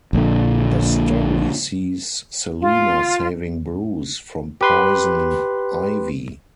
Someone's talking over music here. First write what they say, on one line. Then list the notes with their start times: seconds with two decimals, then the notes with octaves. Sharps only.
The story sees Selina saving Bruce from Poison Ivy.
0.13 A#1 A#2 D3
2.61 F4
4.61 G4 B4 C6